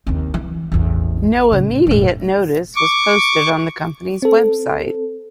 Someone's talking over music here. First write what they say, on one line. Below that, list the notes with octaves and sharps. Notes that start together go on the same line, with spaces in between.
No immediate notice was posted on the company's website.
D#2 C4
E3
A1 E2
A2 C#3
E1 A2
C#6 D6
C4 A4